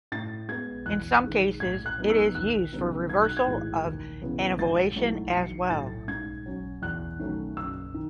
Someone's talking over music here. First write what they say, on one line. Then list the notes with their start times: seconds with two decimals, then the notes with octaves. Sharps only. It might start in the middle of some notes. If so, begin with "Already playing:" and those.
In some cases, it is used for reversal of anovulation as well.
0.12 A2 A6
0.48 G#3 B3 G#6
0.86 E2 F#6
1.24 D#3 G#3
1.60 A2 G#6
1.86 F#6
1.98 F#3 B3 D#4
2.10 E6
2.35 D#2 F#6
2.72 C#3 F#3 B3 D#4
3.09 B1 G#6
3.24 F#6
3.37 G#6
3.47 A2 E3 G#3
3.84 D#2
4.22 C#3 E3 B3
4.58 G#1 A6
4.96 G#2 F#3 A3 E4
5.33 B1 C#7
5.70 A2 F#3 A3 A6
6.08 G#2 G#6
6.46 F#3 C#4
6.82 E2 F#6
7.19 D#3 F#3 A3 C#4
7.57 F#1 E6
7.94 D#3